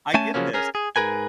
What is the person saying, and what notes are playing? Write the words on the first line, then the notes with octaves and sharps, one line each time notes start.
I get this.
A3 C#4 G#5 A5
C#3 F3 F#3 A#3 C#4
C#4 G#4 A#4
G#4
G#2 G#4 A#4 B4 G#5